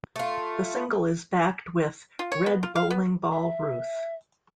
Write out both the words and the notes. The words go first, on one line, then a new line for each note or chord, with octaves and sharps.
The single is backed with "Red Bowling Ball Ruth".
A3 F4
F4
C#5
B3
F4
F5
B3
E5